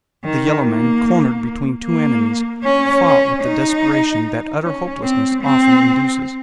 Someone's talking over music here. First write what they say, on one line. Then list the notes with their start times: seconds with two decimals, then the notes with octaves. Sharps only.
The yellow men, cornered between two enemies, fought with the desperation that utter hopelessness often induces.
0.24 D#3
0.63 A#3
1.84 A#3
2.64 C#4
3.03 C#4
3.43 D#4
4.63 C#4
5.03 C4
5.42 C4